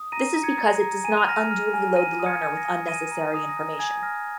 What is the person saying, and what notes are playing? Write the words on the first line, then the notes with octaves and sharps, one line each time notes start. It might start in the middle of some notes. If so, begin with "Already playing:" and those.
This is because it does not unduly load the learner with unnecessary information.
Already playing: D#6
A#5 A#6 D#7
A#5
G#6 C#7
A#5
A#6
A#5
G#5 D#7
F7
F6 A#6 D#7
F6
G#5
G#5 A#6 D#7
D#6
G#6 C#7
G#5
A#6
D#6
D#6 A#6 D#7
A#5
D#6
A#6
A#5
A#6
G#5 G#6
F6 A#6